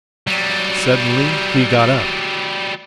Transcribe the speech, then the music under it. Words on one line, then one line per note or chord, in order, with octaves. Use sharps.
Suddenly he got up.
F#3 G3